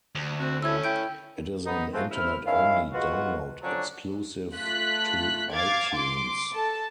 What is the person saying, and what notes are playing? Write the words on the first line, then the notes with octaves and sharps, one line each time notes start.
It is an internet-only download exclusive to iTunes.
D2
C4 F#4
A3 C#4 E4 E6 G#6
E4 G5 G6 D7
B3 D#4
F3 G#3 A3 C4 F4 F#4
C3 E4 F6
D#3 C#4 E4 F5
G#3 B3 F4 F#4
D3 F3 F#3 C#4 D4
A3 F4 F#6 B6
F5 D6 G#6 A6
C6 D6
A4 A5